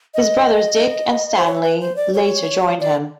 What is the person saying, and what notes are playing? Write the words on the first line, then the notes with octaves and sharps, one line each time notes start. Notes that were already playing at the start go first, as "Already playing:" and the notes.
His brothers, Dick and Stanley, later joined him.
D#5
C5
C#5
B4
C5
D5
C#5
D5